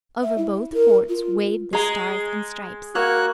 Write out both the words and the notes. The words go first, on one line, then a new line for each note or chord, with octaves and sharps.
Over both forts waved the Stars and Stripes.
E5
E4
A#4
F4
G#3 G#4 A#5
A#3 F#4 C#5 E5 F#6